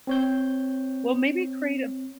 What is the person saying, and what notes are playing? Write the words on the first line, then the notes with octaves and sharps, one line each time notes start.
Well, maybe create a
C4 C#5 G6